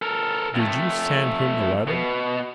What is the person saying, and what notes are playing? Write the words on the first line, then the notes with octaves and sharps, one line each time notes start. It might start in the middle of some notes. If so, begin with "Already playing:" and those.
"Did you send him a letter?"
A4 A#4
F2 A3
B2